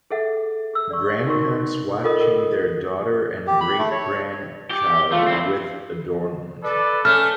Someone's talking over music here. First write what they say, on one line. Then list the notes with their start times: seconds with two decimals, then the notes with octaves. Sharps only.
Grandparents watching their daughter and great grandchild with adornment.
0.11 G#4 A4 E5 F#5
0.74 G#4 E6
0.91 D5 C#6
1.26 D#4 F#4 A#4 C#6
2.04 F4 A4 A#4 D#5 D#6
2.20 A#4
3.47 G4
3.61 B5
3.79 A3
3.92 C#5
4.71 G4
5.12 A3 F4
5.28 C4 E4
6.63 A4 B4 D5
7.05 A3 C#4 F6